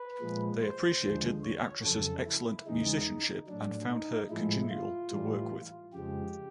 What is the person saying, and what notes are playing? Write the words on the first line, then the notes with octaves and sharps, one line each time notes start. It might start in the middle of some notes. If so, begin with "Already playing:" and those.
They appreciated the actress's excellent musicianship and found her congenial to work with.
Already playing: B4
A#2 F3 G#3
C5
D#2 D3 F3 G#3
C#5
F2 C#3 F#3 A4
E4
E2 C#3 E3 G#3 D#4
A2 F#3 D4
D#4
A2 F3 G#3 E4
F4
A2 E3 G3
F2 C#3 F3 G#3 G4